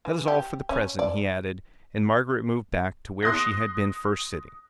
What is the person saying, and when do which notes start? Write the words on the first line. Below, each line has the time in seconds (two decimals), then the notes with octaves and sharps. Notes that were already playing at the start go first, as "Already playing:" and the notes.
"That is all for the present," he added, and Margaret moved back to where she had been first sitting.
0.05 E3
0.28 G4
0.69 C#4
0.99 D5
3.23 C6 D#6 F#6 A#6